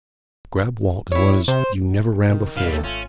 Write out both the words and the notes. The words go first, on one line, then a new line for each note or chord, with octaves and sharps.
Grab Walt and run as you never ran before!
E4 C#5
C3 C5
C3 D#3
G2 B2 G3 F5
A4
G#1 A3 C#4 F4